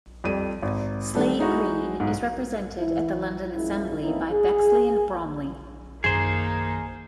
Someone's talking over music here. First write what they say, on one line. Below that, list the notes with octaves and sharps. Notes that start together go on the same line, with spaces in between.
Slade Green is represented at the London Assembly by Bexley and Bromley.
F2 G3 D#7
G#1
D#3 G3 A3
G#3 D#4 E4 F#4
B1 G#2
E3 E4
F#2 F3 G#3 E4
E3 A#3 C4 C#4 D#4 E4
G#4
F#2 D#3 A#3 D#4 G#4 C5